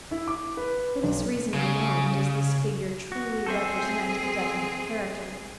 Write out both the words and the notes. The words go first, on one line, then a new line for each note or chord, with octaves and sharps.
For this reason alone does this figure truly represent a definite character.
E4
D6
B4
B1
C#3
F#4
C4 G#4 A4 C5 E5